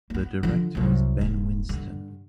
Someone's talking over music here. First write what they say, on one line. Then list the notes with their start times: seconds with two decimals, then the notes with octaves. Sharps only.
The director is Ben Winston.
0.10 A#3 B3
0.43 D3 F3
0.75 C2 F#3
1.21 D#1
1.69 G2 D3